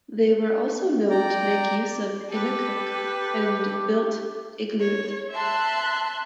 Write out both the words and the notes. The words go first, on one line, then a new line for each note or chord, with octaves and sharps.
They were also known to make use of "inukhuk" and built "igluit".
D5 G5 A#5 D6
G4 A4 B4
C#5
E5 A5 C6 F#6